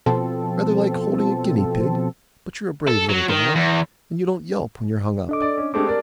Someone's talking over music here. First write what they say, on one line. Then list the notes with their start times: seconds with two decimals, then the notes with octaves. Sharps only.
'Rather like holding a guinea-pig; but you're a brave little dog, and you don't yelp when you're hung up.
0.06 B2 F3 C4 A4
2.88 A4
3.09 F#3
3.29 D#3
3.55 E2
5.29 D4 A4 D#5 D6
5.42 D5
5.58 C#4
5.74 G#3 A3 C4 D4 G4 D6
5.87 D4 A#4 D5